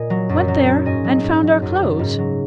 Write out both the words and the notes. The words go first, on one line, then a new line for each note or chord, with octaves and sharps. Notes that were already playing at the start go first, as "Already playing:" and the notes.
Went there and found our clothes.
Already playing: A#2 D#5 G#5
F#3
F#2
F#3
F#3
G#2 D#5 G#5
F#3
G#2
F#3
F#2
C#3
G#2
F#3